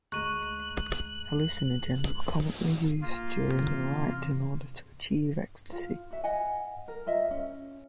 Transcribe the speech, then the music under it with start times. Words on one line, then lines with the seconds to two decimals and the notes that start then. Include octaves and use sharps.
Hallucinogens were commonly used during the rite in order to achieve ecstasy.
0.12 D2 G#3 A#5 C#6 F#6 D#7 F#7
3.01 A#3 F4
3.62 C3 E3 C#4
5.72 F4
6.11 F#4 E5
6.24 D#5 F#5 G#5
6.88 A#4
7.07 F4 D#5 E5
7.31 C#4